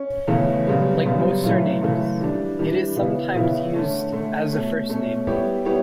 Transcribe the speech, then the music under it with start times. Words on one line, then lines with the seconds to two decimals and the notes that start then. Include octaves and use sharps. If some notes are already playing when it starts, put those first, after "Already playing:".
Like most surnames, it is sometimes used as a first name.
Already playing: C#4
0.28 E2 C#3 E3 A3 C#4
0.67 F#2 C#3 G3 B3
1.05 F#2 C#3 G3 B3
1.44 F#2 C#3 E3 A3
1.82 F#2 C#3 E3 A3
2.20 E3 G3 D4
2.59 E3 G3 D4
2.96 C#3 E3 B3 E4
3.35 C#3 E3 B3 E4
3.73 D3 A3 C#4
4.12 D3 A3 C#4
4.51 B2 A3 C#4
4.89 B2 A3 C#4
5.27 G3 B3 E4 G4 C#5
5.65 G3 B3 E4 G4 C#5